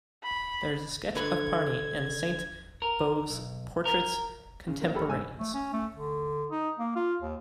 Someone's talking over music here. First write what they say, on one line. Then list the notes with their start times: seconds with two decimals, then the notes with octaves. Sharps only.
There is a sketch of Parny in Sainte-Beuve's "Portraits contemporains".
0.23 B5
1.15 D3 B4 G#6
2.82 A#4
3.30 B1
3.86 A#4
4.67 C#3
4.81 A#3 D#4
4.94 G4 A4 A#4 B5
5.08 G#2 G#5 E6
5.39 A3
5.54 C#4
5.73 A3
5.94 D3
6.51 D#4
6.79 A#3
6.96 F4
7.21 D#2